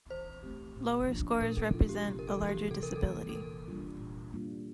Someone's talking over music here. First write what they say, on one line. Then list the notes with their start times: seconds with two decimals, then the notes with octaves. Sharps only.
Lower scores represent a larger disability.
0.10 E3 C5
0.43 A3 C4 G4
0.76 A#2
1.08 F3 A#3 D4 F4
1.41 A#2 A#4
1.57 A4
1.73 F3 A#3 D4 F4
1.89 G4
2.05 C3 G4
2.19 A#4
2.27 A4
2.38 E3 A#3
2.49 G4
2.71 C3 A4
2.83 A#4
2.96 A4
3.03 E3 A#3
3.29 A4
3.35 A#2 A#4
3.68 G3 A#3 D4 F4
4.00 A#2
4.33 G3 A#3 D4 F4